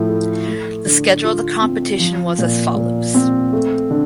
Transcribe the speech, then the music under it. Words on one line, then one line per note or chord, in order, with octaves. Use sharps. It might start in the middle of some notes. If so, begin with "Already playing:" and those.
The schedule of the competition was as follows.
Already playing: A2 F3 E4
A3
A3
D3
F4
C4
F3
A#2
A#2
C4
A3
D3